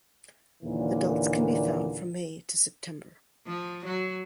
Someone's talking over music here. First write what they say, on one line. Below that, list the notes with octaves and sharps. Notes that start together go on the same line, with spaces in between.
Adults can be found from May to September.
D#2 A#2 D3 E3 A#3
F3
F#3